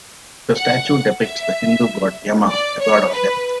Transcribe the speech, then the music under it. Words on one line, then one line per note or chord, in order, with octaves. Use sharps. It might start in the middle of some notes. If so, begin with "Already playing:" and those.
The statue depicts the Hindu god Yama, the god of death.
F#5
E5
D5
C#5
B4